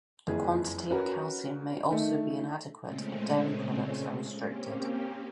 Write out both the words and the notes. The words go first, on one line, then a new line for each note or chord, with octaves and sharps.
The quantity of calcium may also be inadequate if dairy products are restricted.
F#1 F2 E3 G#4
C#4 F#4 A#4 B4
D#3 A3
A#2 C#3 G#3 A3 C4 C#4
A#3 C4 C#4 G4